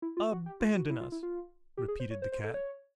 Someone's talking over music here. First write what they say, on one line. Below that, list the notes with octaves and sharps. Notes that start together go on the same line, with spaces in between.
"Abandon us," repeated the Cat.
E4
F4
F#4
G4
F4
F#4
E4
F4
E4
F4
G4
G#4
C5
C#5
C5
C5
A4
C#5